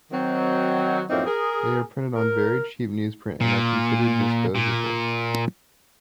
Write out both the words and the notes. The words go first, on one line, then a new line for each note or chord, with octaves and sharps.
They are printed on very cheap newsprint and are considered disposable.
D#3 F#3 C4
F#2 A2 F3 A#3 C4 D#4
G#4 A#4
A#4
A#2
A#2